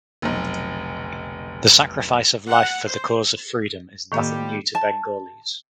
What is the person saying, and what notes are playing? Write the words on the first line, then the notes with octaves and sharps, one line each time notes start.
The sacrifice of life for the cause of freedom is nothing new to Bengalis.
F1 B1
F#5
C5
A2 D#3 F3 G3 A#3 G4
A5